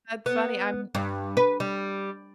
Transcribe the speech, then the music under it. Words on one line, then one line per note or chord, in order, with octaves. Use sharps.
That's funny, I'm
B3
G2
B4
G3